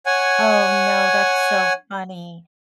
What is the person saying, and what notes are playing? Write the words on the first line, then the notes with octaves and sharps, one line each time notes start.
Oh, no. That's so funny.
C#5 F#5 G#5